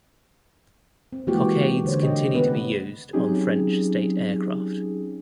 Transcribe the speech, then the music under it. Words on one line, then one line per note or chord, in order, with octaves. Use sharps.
Cockades continue to be used on French state aircraft.
C4
E3 G#3 A#3 F#4 G4
D#4
D3 C5 C#5
G4 D#5
C3 D#3 A3 B3 C#4 B4
F#3 C4 C#4 D#4 G4 G#4